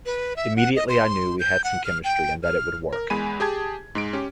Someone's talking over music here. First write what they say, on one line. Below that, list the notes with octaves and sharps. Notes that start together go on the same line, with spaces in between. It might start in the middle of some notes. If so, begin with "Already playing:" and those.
Immediately, I knew we had some chemistry and that it would work.
B4
E5
F#5
D#5
C6
G6
F#5
F6
G5
F6
A#4
E2 G#3 G#5 B5 D#7
G4 G#4 A5 G#6
G#2 G#3 D7
C#4 G4